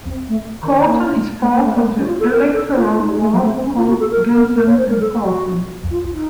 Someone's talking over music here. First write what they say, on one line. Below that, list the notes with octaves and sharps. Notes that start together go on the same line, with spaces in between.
Corton is part of the electoral ward called Gunton and Corton.
C4
A3
D#3
C4
A#3
A3
A#3
A3
A#3
C#4
F#4
F4
A4
A#4
A4
F4
D#4
A3
F#3
A3
C4
C#4
F4
F#4
A4
A#4
A#4
A#4
C#5
C5
A#4
A4
F#4
F4
D#4